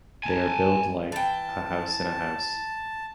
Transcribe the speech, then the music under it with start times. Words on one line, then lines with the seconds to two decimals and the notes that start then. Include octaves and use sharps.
They are build like "a house in a house".
0.23 G#5 A5
1.12 E3 G5 A5